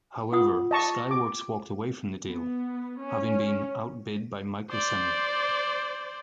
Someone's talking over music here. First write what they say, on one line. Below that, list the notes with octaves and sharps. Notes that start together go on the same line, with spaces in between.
However, Skyworks walked away from the deal, having been outbid by Microsemi.
F4 F#5 D#6
D#5 A5 C#6
D6
B3
C#4
C5 D5